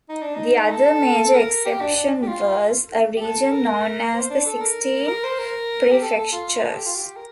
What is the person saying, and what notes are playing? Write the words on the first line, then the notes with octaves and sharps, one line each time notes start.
The other major exception was a region known as the Sixteen Prefectures.
D#4
D4
D#4
A4
A#4
G4
D4
D4
G4
F4
G4
A4
A#4
C5
D4
A4
A#4
A#4
C5
A#4
G4
A4
A4
F4
A4
G4
F4
G4
A#4